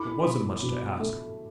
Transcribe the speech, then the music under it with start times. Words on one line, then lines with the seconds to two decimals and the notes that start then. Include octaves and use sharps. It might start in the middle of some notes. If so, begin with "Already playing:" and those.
It wasn't much to ask.
Already playing: E4 B5 D6
0.25 B2
0.63 B2
1.00 A3